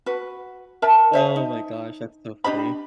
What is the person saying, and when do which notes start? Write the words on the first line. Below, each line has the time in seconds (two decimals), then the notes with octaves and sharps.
Oh my gosh, that's so funny.
0.06 F#4 B4
0.82 A#4 E5 A5
1.13 C5 E5 G#5
1.36 D#4
2.44 D4 G4 D#5 B5